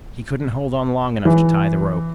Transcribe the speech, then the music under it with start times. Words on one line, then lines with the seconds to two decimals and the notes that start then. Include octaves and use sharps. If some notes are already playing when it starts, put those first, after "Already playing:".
He couldn't hold on long enough to tie the rope....
1.25 E3